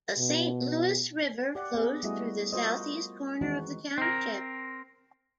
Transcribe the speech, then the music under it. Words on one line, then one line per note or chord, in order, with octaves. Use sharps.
The Saint Louis River flows through the southeast corner of the township.
B2
G4 D5 F#5
B3 G#4
G3 A3 E4 F#4 G#4 D#5
F4 F#4 A#4 C5 D#5
D#3 E3 G#3 C4 D#4 F#4
C4 A#4